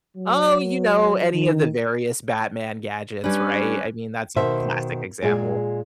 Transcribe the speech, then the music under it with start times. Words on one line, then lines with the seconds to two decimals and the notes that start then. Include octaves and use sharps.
Oh, you know, any of the various Batman gadgets, right? I mean, that's a classic example.
0.16 F#3
1.32 D#3
3.24 G3 C#4 D4 B4 D5
4.36 B2 D#3 C5 E5
5.22 A#2 G#3 G#4